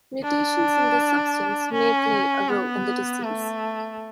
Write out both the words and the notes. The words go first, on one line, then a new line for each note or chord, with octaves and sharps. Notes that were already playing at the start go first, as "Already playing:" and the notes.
Mutations in this substance may play a role in the disease.
D4
C#4
B3
A3